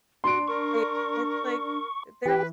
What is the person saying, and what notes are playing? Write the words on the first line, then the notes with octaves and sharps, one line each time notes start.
they it's like, uh, they're, t
D4 F#4 C6 D7
A#4 C#6
E3 G4 B4 G5